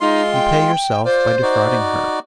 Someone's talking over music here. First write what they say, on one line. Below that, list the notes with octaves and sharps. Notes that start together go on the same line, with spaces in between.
'You pay yourself by defrauding her.
G#3 D#4 F4 C6
G5
F4 C5 D5
D#4 F#4 D5